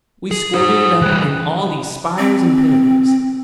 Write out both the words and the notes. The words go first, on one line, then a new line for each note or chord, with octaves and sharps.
We squirted it up in all these spires and pinnacles.
G#4
D#4 C5 D#6
E3 G3 F#6
C4